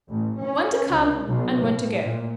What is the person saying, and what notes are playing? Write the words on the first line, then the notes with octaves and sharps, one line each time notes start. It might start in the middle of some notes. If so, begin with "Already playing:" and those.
One to come, and one to go.'
A1
C#4
C#2
B1
A2
A#2